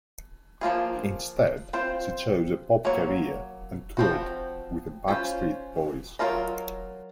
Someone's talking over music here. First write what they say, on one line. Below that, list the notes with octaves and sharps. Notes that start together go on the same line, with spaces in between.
Instead, she chose a pop career and toured with the Backstreet Boys.
F3 A#3 F4 G#4
C4 F4 C5
F#3 A#3 C#5
F3 C4 F#4
C#4 F4 C5
F#3 C4 F4 A#4 D#5